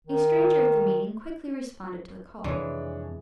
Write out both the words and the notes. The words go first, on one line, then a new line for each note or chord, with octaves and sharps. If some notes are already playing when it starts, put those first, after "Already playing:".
A stranger at the meeting quickly responded to the call.
D#3
F2 C3 E3 G#3 D4 C#5